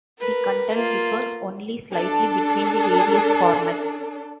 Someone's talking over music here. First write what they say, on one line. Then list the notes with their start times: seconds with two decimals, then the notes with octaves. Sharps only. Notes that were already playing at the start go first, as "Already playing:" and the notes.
The content differs only slightly between the various formats.
0.18 A#4 B4
0.73 A#3 F4
1.91 D4 A4